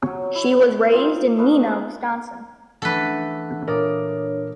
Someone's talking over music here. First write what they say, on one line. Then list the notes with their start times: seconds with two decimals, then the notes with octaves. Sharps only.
She was raised in Neenah, Wisconsin.
0.02 F#3 C#5
0.35 E4
0.59 F#5 A5
0.92 C4 D#4 F4 A5
1.37 A3 D#4 B4 F5
1.64 G#4 A#4 C5 E5
2.82 E3 A3 D4 A4 B4 F#5
3.68 A#2 D4 A#4 C#5 D5 D#6